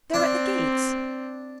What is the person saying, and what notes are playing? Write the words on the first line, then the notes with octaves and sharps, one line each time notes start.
'They're at the gates!
C4 D4